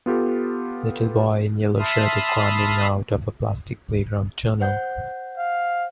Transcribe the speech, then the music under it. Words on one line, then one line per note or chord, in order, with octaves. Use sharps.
Little boy in yellow shirt is climbing out of a plastic playground tunnel.
B3 F4 G4 A4
E5 A5 B5 C6 D#6 F6
C5 F#5 G6
F5